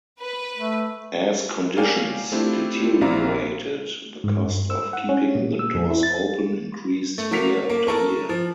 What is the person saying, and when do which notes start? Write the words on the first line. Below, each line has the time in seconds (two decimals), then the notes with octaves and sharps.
As conditions deteriorated the cost of keeping the doors open increased year after year.
0.21 B4
0.57 A3
1.76 A#4 C#5 D5 F5 G5 G#5
2.32 A3 C4 D4 E4 F4 G4
3.01 A#1 C4 E4 D5 F5 A#5
4.24 G#2
4.45 G2
4.70 E6
4.93 F#5
5.09 C#4
5.35 A#2
5.59 E6
5.75 F2
5.90 E4
6.03 A6
7.18 A3
7.31 F#3 A3 A#3 B6 F7
7.70 A#3
7.87 A4 A#4 C#6
8.29 F3